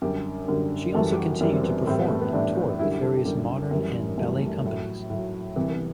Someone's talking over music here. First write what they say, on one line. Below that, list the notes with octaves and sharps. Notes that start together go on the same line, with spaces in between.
She also continued to perform and tour with various modern and ballet companies.
F#2 D3 G3 G4
F#2 D3 G3
F#2 E3 G3 A4
G4
F#4
F#2 E3 G3 D4
C4
B3
A2 E3 G3 C4
B3
A3
B3
A2 E3 G3 D4
F#2 D3 G3 E4
G4
A4
G4
F#2 D3 G3 G4
F#2 E3 G3
F#2 E3 G3 A3
G3
A3
A2 F#3
A2 F#3
C2 C3 E3 G3
B3